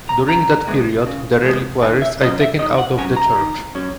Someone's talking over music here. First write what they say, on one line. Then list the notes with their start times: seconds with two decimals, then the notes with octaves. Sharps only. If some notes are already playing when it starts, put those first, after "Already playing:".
During that period, the reliquaries are taken out of the church.
0.09 A#5
0.29 C#3 A#5
0.67 E3 G#3 B3
1.06 C#3
1.44 E3 G#3 B3
1.82 D#3 G#5
2.02 E5
2.21 F#3 C#4 D#5
2.41 E5
2.59 D#3 D#5
2.78 F#5
2.98 F#3 C#4 G#5
3.16 A#5
3.36 D#3
3.75 F#3 C#4